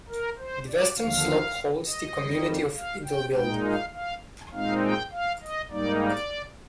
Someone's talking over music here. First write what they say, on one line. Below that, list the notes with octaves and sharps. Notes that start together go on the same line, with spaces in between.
The western slope holds the community of Idyllwild.
A#4
C5
D5
D#2 D3 F3 F5
D#5
F2 D#3 G3
F5
G5
A#2 G#3 D#4 G5
F5
F5
A#2 G#3 C4 D#4 F5
G5
F5
D#5
G#2 G3 A#3 D#4 D5
D5